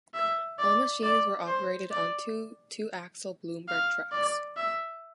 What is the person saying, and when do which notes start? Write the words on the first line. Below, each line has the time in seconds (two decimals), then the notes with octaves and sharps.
All machines were operated on two two-axle Bloomberg trucks.
0.14 E5
0.59 D5
1.03 D5
1.47 C5
1.91 D5
3.68 F5
4.12 D5
4.57 E5